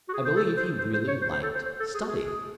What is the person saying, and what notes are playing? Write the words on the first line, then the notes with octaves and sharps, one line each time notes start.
I believe he really liked study.
F#4
G#4
C5
A4
C5
C5
C5
C#5
C5
C5
A4
C5
C5
A4
G#4
F#4
G#4